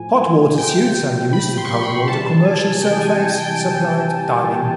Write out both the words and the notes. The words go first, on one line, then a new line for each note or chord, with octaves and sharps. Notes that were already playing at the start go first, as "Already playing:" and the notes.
Hot water suits are used in cold water commercial surface supplied diving.
Already playing: A2 F3 G#5
C3 F3 G5
B5
C6
C#6
C6
B5
C3 E3 G3 A5
G#5
G5
G#5
G5